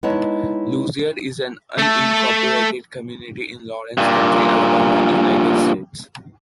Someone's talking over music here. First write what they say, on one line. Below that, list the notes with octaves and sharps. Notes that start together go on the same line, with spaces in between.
Loosier is an unincorporated community in Lawrence County, Alabama, United States.
G#3 B3 D#4 E4 C#5 A5
A3 A4
G2 A#2